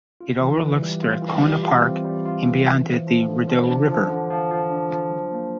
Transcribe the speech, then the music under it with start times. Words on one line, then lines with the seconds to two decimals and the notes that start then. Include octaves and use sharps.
It overlooks Strathcona Park and beyond it the Rideau River.
0.21 F4
0.40 E3
0.61 E3
0.82 G3
1.02 F4
1.22 E3
1.42 G3
1.63 F4
1.83 C4
2.04 G3
2.25 F4
2.46 E3
2.65 F3
2.86 F3
3.07 F3
3.27 D3
3.48 F3
3.68 D4
3.89 F3
4.09 D3
4.30 F3
4.51 F3
4.70 D4
4.91 F3
5.11 F#3
5.32 A#3